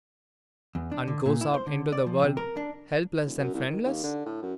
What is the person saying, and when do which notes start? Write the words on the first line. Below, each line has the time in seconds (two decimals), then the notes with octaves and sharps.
"And goes out into the world, helpless and friendless?"
0.75 E2
0.92 D4
1.08 D3
1.26 A#2
1.41 E4
1.54 C5
1.67 D3
1.92 D5
2.07 F3
2.23 C3
2.37 A#4
2.57 D4
3.26 D#1
3.39 F#2
3.54 C2
3.69 D#3
3.85 D#2
4.03 D3
4.26 A2
4.42 F#2